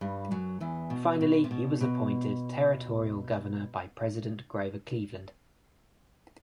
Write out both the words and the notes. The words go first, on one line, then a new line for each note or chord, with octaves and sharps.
Finally, he was appointed territorial governor by President Grover Cleveland.
G2 G3
F#2 F#3
E2 E3
B2
B2
C3
B2
B2